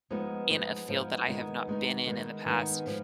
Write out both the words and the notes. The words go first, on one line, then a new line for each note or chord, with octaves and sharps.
in a field that I have not been in in the past
F3 G#3 B3 D#4
F3 G#3 B3 D#4
F3 G#3 B3 D#4
D#3 G#3 B3 D#4
D#3 G#3 B3 D#4
D#3 G#3 B3 D#4
D#3 G#3 B3 D#4
F3 G#3